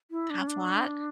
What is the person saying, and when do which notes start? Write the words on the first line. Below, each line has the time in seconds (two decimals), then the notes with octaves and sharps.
That's a lot.
0.11 E4
0.30 D4
0.39 C#4
0.47 D4